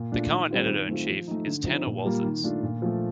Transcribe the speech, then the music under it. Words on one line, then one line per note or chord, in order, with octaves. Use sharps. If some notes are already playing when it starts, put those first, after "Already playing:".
The current editor in chief is Tanner Walters.
Already playing: A#2
A3 D4 F4
D#3
G3 C4 F4
D#3
A3 C4 F4
F3
A3 D#4
D3
F3 C4 D#4
A#2
G3 A#3 F4
D#3
A3 D4 F4
A#2
F3 A3